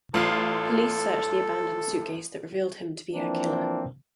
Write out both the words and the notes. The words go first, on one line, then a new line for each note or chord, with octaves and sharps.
Police searched the abandoned suitcase that revealed him to be her killer.
A1 F4 A4 C7
E3 F3 A#3 C4 D4